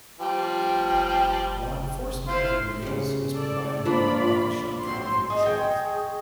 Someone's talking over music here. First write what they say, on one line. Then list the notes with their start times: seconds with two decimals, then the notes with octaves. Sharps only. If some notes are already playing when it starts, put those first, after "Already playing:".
Law enforcement in Wales is provided by the Waukesha County Sheriff.
0.20 F3 G3 G5
2.28 E4 C5 F5 C6
2.82 C#3 G3
3.31 A4 D5
3.85 F3 A#3 D4 F4 D5 B5
4.83 F#3 C4 C6
5.30 G#4 D#5
5.45 G#4 D#5 G5 C#6